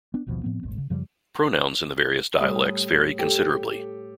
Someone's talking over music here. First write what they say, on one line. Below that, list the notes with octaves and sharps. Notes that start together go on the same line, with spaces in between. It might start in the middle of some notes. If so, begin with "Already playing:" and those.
Pronouns in the various dialects vary considerably.
B3 D4
G#1 D#2 B2 F3
A2 F3 B3 C4
D#1 G#1
C#3
F#2 C#3 F3 G3
A2 G3 D#6
G4 A4